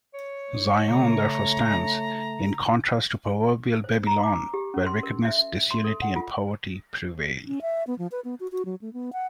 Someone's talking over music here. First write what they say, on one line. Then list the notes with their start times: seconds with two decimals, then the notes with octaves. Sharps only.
Zion therefore stands in contrast to proverbial Babylon, where wickedness, disunity, and poverty prevail.
0.14 C#5
0.88 C#3 A3 A#5
3.84 C5
4.07 A#5
4.23 D6
4.54 G4
4.74 C#4
4.87 C6
5.03 A#4
5.25 E5
5.71 C6
5.84 A4
6.02 F#5
6.16 F4
7.47 C#4
7.62 E5
7.87 B3
7.99 F3
8.12 B4
8.24 B3
8.40 F#4
8.52 F#4
8.65 F#3
8.81 A3
8.93 B3
9.13 F#5